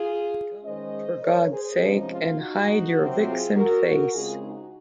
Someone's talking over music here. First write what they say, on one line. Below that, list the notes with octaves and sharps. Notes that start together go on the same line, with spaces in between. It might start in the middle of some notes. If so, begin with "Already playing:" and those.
Begone, for God’s sake, and hide your vixen face!
Already playing: F4 G#4
D#3 G#3 C#4 C5 D#5
A#4 C#5
G#4 C5
C3 F3 G#3 C#4 D#4
F4
D#4 F#4
C3 F#3 C4
F4 G#4
F#4 A#4
F#4 A#4
C#3 G#3 C4 F4 G#4
D#4 F#4